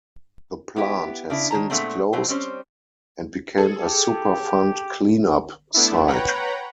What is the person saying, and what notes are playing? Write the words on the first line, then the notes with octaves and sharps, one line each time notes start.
The plant has since closed and became a Superfund cleanup site.
B3 E4 G4
C#3 D4 E4
D#3 C#5 A5 A#5
A#2 G#3 A3 B3 C4 D4
B2 F#3 A3 C5
G3 C4 C#4 C5
G#4 A4
G4
A3 B3 D4 E4
B4 C#5 F#5 G5 A#5 B5